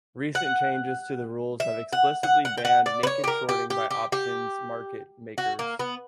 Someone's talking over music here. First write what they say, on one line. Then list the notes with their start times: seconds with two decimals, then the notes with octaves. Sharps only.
Recent changes to the rules have explicitly banned naked shorting by options market makers.
0.35 F#5
1.60 E5
1.93 F#5
2.23 F#5
2.45 F#5
2.57 G5
2.65 F#5
2.86 D5
3.03 B4
3.07 C#5
3.24 G4
3.28 A#4
3.49 G4
3.70 G4
3.91 G4
4.12 G4
5.38 F#4
5.59 A#3
5.79 B3